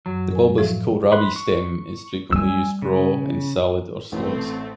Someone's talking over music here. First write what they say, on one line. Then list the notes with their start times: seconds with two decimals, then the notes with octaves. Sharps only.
The bulbous kohlrabi stem is frequently used raw in salad or slaws.
0.06 F#2 F#3
0.31 A#4 G#5
0.58 A2 F3 E5
1.12 B5 C6 F#6
1.36 C#6
2.33 G3 A3 G#5 E6
2.82 C#3
4.12 A1 A2 A3 C4 B4